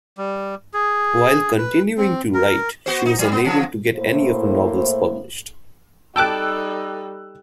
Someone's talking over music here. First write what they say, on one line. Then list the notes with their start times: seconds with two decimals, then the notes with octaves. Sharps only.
While continuing to write, she was unable to get any of her novels published.
0.18 G3
0.74 G#4
1.58 B4
1.98 C4
2.34 A#4
2.86 B3 F#4 C5
3.06 D#4
3.19 F#3 G3
3.32 B3
3.45 D3 F3 F#3
3.95 A2 A#3 E4 A#4 C5
6.16 G3 D#4 A4 G5 A5 D6 E6 F#6